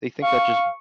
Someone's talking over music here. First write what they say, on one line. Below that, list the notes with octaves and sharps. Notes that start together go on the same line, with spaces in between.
they think that just
F5 C#6